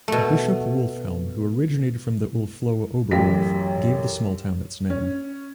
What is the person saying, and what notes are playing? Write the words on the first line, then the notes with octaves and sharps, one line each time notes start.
Bishop Wolfhelm, who originated from the Ulfloa Oberhof, gave the small town its name.
B2 A3
A1 F#2 G4 B6
C#4